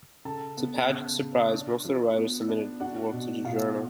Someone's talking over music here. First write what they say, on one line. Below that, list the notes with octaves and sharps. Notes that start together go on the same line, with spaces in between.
To Padgett's surprise, most of the writers submitted work to the journal.
C#3 A4 A5
B3
C#3
C#3
D4
F3
B3
D4
D4 F#4 F#5
B2
B2 F4 F5